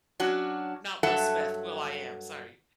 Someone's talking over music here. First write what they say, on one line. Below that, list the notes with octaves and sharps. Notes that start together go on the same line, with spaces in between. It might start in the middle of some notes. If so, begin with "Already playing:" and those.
not Will Smith, will.I.am, sorry.
F#3 C#4 D4 F#4
G2 F#3 A4 E5 F#5 A5